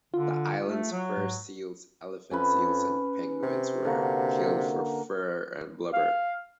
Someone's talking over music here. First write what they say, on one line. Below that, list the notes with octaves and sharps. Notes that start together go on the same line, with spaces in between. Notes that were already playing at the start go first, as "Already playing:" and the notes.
The island's fur seals, elephant seals and penguins were killed for fur and blubber.
D3 F4
A3
F#3
G#2
F2 C#4 B4
C3
D3 A#3 F#4
F5